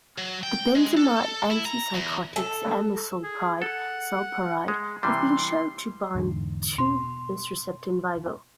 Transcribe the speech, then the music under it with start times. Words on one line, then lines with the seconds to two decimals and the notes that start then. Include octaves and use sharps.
The benzamide antipsychotics-amisulpride, sulpiride-have been shown to bind to this receptor in vivo.
0.18 F#3
0.43 G5
0.76 G#3
0.97 A4
1.23 A4
1.51 E4
1.66 A#5
1.94 E2
2.36 A4
3.23 G#4
3.62 A4 F#5
4.68 G#3
5.03 C3 E3 G3 C6
6.15 E2 G#2 D3
6.78 B2 C6